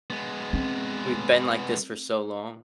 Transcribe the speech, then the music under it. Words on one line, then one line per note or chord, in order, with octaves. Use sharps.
We've been like this for so long.
G#3 B3
C4